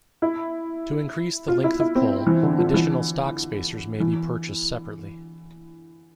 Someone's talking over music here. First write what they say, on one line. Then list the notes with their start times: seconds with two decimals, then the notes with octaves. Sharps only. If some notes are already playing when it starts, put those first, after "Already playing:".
To increase the length of pull, additional stock spacers may be purchased separately.
0.22 E4
1.48 F4
1.64 E4
1.80 E4
1.95 C4
2.27 E3
2.43 D3
2.58 F3
2.74 E3
4.00 E3